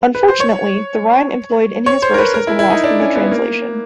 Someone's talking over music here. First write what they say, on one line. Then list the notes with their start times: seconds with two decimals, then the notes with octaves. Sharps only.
Unfortunately, the rhyme employed in his verse has been lost in the translation.
0.15 B4
0.28 C5
0.40 C#5
1.86 C#5
2.02 C5
2.14 A#4
2.18 B4
2.34 A#4
2.47 E4
2.59 E4
2.70 D#4
2.84 D4
3.00 C#4
3.16 B3
3.31 A#3